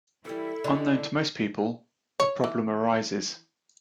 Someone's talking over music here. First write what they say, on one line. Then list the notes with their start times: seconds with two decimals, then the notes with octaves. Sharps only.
Unknown to most people, a problem arises.
0.25 E3 G3 E4 A4
0.64 D3 G4 D#5
2.20 C#5
2.44 E3